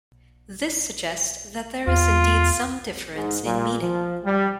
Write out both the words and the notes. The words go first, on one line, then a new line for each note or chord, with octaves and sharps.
This suggests that there is indeed some difference in meaning.
E2 F4
G#2
A#2
F3
G3